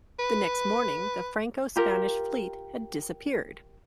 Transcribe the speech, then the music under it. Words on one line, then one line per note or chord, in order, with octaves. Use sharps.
The next morning the Franco-Spanish fleet had disappeared.
B4
F4 G4 A#4